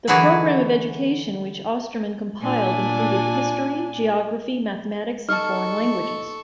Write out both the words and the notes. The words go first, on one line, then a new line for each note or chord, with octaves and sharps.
The program of education which Ostermann compiled included history, geography, mathematics, and foreign languages.
D3 E3 F#3 E4 F#4 G#4
A#2 D4 G#5
D#4 A4 D#5 A5 C#6 F6